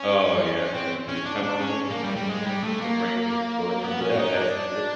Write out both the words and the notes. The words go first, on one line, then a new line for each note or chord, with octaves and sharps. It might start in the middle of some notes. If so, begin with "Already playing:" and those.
Oh, yep, definitely, "Come on in come on in to bring the people in." Yeah, that's true.
Already playing: C#4
C4
C#4
D4
D4
C#4
A#3
G3
G3
G#3
G3
A3
A#3
B3
C#4
D#4
D4